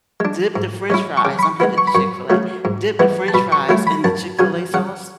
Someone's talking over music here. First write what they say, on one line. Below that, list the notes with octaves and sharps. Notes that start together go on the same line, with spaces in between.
dip the french fries I'm headed to Chick-fil-A. Dip the french fries in the Chick-fil-A sauce,
G#3 D4
G#2
G#3 C#4 E4
C#6
C#3 D6
B5
C#6
G#3 B3 E4
C#6
B5
F#2 C#6
C#3 F#3 A3
G#2
E3 G#3 B3
A5
B2 B5
C#6
F#3 A3 E4
B5
F#2 A5
C#3 F#3 G#5
C#3 F#5